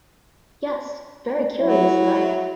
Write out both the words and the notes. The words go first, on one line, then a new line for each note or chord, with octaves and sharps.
Yes; very curious life.
F#3 E4